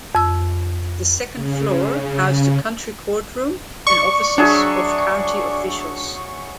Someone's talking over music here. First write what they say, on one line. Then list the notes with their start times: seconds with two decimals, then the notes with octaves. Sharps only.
The second floor housed the country courtroom and offices of county officials.
0.15 F2 E6
1.35 C#3
3.87 D5 C#6
4.38 F#3 D4 G#4 E5